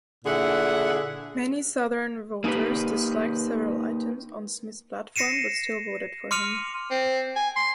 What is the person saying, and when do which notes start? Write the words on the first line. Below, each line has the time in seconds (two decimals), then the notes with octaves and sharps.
Many Southern voters disliked several items on Smith's platform but still voted for him.
0.25 A#2 D3 E4 G#4 F#5
2.44 A#3 D#4 E4 G4 B4
5.16 A#6 C7 C#7 D#7 E7
6.31 C6 D6 F6 C#7 D#7 F7
6.91 C4
7.36 G#5
7.56 C6